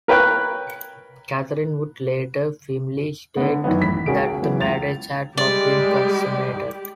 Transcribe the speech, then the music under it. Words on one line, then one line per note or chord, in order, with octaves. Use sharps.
Catherine would later firmly state that the marriage had not been consummated.
A#4 B4 C#5 G5 F#6
D3 B3
F#2 D#3 E3 B3
A1 B5 B6
C#2 C#4 F#4 G#4 A#4 D7
E3 F#3 B3
C#2 A6 F7
G3 G#3 G4 D5